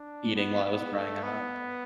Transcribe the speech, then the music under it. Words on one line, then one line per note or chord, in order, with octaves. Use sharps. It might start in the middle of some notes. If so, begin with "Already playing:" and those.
eating while I was growing up."
Already playing: D4
B3
B3
A3
B3